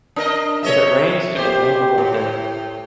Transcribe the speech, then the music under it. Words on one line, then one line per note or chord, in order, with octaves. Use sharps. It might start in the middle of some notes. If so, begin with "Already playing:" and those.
If it rains, it will rain the whole day.
D4 A#4 D#5
C#5 D#5 E5
G4 C5
A2